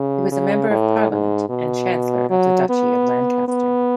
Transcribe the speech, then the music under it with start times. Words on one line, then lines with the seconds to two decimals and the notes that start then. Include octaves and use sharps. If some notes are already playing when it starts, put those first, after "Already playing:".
He was a member of parliament and Chancellor of the Duchy of Lancaster.
Already playing: C#3
0.32 C#3
0.70 A2
1.11 G#2
1.50 B2
2.30 F#3
2.69 B3
3.48 B3